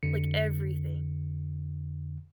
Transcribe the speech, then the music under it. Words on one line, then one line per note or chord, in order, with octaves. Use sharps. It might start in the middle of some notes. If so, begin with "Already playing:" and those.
Like, everything.
F2 D3 C#7